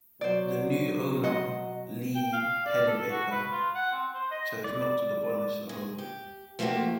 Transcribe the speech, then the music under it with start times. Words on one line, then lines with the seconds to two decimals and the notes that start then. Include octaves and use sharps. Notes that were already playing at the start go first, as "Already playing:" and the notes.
The new owner, Lee Pennebaker, chose not to demolish the home.
0.21 B2 F#3 C5 D5
1.24 D#5 F#5
2.15 G5
2.33 F5
2.66 D5
2.87 A4
3.10 F#4
3.31 B4
3.52 F4
3.75 F#5
3.92 C4
4.14 C5
4.31 D#5
4.64 D5
5.69 G#4
5.98 G4
6.59 F3 A3 A#3 C4 F#4 G4